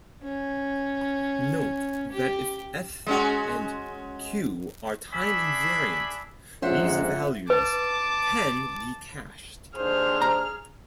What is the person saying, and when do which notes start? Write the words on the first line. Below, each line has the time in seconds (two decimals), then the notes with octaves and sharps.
Note that if "F" and "Q" are time invariant these values can be cached.
0.23 C#4
2.12 G4
3.06 G#3 C#4 F#4
5.14 D4 G#4 E5 B5
6.62 A#1 F2 G#2 C#4 F4 C5 E5 F#5
7.50 B4 A5 D6
9.76 D#2 D4 G#4 C5 F6
10.22 A#5